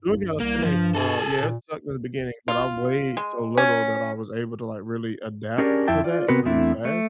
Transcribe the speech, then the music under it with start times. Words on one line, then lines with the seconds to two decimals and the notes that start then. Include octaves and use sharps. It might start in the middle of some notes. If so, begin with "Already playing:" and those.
doing calisthenics, uh, yeah, it sucked in the beginning, but I weighed so little that I was able to, like, really adapt to that really fast,
0.02 G2
0.40 C2 A#3
0.63 G2 F3
0.95 G#4 A4
1.40 A#2
2.48 F4
3.17 G#3
3.58 C#4
5.58 C#4 D4 G4 G#4 A#4 D5
5.87 F2 E4 E5 G5 A5
6.04 F4 D5
6.28 C3 B3 C4 F#4 A#4 B4
6.45 E2 A3 C4 D4 E4
6.85 A3